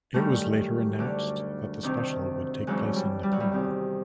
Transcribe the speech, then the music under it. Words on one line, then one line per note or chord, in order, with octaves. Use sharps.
It was later announced that the special would take place in Nepal.
F#2 D#3 G3 A3
D2 D3
D2 C3 D#3
D2 C#3 E3 F#3 G#3
G3
G3
F#3
G3
E2 C3 D#3